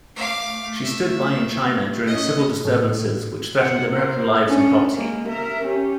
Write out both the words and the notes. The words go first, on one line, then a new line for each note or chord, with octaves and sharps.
She stood by in China during civil disturbances which threatened American lives and property.
A3 F5 D6
E5
C#4 D#5
A2
C5 F#5
A#4 C5
C#4 D4
G#3 A#3
A#4 E5
C#4 G4